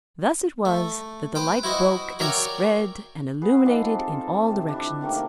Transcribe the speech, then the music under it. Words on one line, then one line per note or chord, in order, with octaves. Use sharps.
Thus it was that the light broke and spread and illuminated in all directions.
A3
B4 C5 G5
E4 F#4 C5 D#5
F#4 A#4 C#5 D5 E5 G5
G#4 B4 F#5 G#5
F3 C4 D#4 D5
A4
C3 F4
D4 E4
C3 D#3 A3 A#3